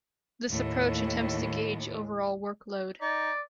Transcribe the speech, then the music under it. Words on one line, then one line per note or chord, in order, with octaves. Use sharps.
This approach attempts to gauge overall workload.
D#2 A2
D#4 D5